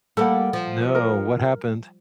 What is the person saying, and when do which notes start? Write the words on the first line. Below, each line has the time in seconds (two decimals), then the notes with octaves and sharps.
No, what happened?
0.17 G3 A#3 A4 F#5
0.53 F3
0.95 A#4